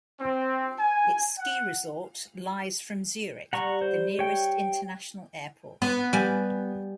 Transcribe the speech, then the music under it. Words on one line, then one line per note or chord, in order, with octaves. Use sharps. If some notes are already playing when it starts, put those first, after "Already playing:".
Its ski resort lies from Zurich, the nearest international airport.
C4
G#5
F#5
G3 G4 F#5 A#5 C#6
C5
C#5 G5
B3
G3 G#5